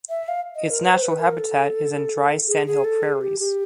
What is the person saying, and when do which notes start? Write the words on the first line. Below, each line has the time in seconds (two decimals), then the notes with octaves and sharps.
Its natural habitat is in dry sandhill prairies.
0.10 E5
0.28 F5
0.55 D#5
0.70 A#4
0.83 B4
0.93 C5
1.02 B4
1.20 A#4
1.39 A4
2.48 G#4
2.67 G#4
2.84 A4
3.03 G#4
3.21 G4
3.39 G4